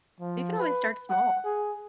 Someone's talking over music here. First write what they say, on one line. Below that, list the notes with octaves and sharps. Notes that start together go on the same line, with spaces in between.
you can always start small.
F3
B4
F#5
G#4